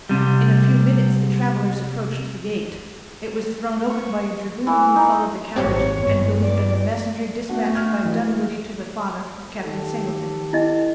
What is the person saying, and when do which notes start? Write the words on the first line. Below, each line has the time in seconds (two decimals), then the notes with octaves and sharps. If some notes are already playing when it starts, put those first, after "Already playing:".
In a few minutes the travelers approached the gate. It was thrown open by a dragoon who followed the carriage, and who had been the messenger dispatched by Dunwoodie to the father of Captain Singleton.
0.09 C2 F#2 C3 G3
3.90 C#6
4.67 E3
4.96 D#4
5.56 G#1 G2 A#2 C4 G4 C#5
5.95 E2 G2
6.42 D5
7.49 A3 B3 D4 F#4
7.75 F6 G#6
8.01 E3 F#4
9.60 D#3 G4 A4
10.53 E4 D#5